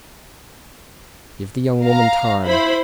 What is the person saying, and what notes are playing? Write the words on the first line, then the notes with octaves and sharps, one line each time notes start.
"Give the young woman time."
F5 A#5
E4 C5 B5